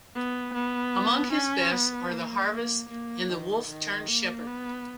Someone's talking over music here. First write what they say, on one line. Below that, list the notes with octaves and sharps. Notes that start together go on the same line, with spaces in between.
Among his best are "The Harvest" and "The Wolf turned Shepherd".
B3
B3
C#4
B3
A#3
A#3
A#3
D#3
D#3
A#3
B3